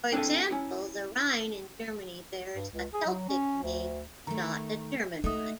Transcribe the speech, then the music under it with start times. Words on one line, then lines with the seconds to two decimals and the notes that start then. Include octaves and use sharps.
For example, the Rhine in Germany bears a Celtic name, not a German name.
0.12 C4 D4 E4 A4 G#5
0.51 C#4 E4
2.55 G2
2.73 C#2
2.94 G#4
3.06 F#3
3.29 C#4
3.64 D2
4.27 D#3 A3 A#5
5.24 A3 D#4 F#4 A4 E5 D#6